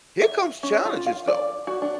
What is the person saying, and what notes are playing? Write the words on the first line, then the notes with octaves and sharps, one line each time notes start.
here comes challenges, though.
E5
C#4
F4
F5
D5
F#4
D4